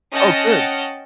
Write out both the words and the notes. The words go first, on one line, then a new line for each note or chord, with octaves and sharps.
Oh, good.
C#4 D#5 F#5 G5 A5 F6